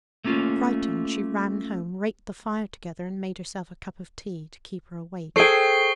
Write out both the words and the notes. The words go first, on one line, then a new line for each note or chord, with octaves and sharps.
Frightened, she ran home, raked the fire together, and made herself a cup of tea to keep her awake.
A3 A#3 C#4 F4
G#4 A4 C5 G5 C#6 C7 G7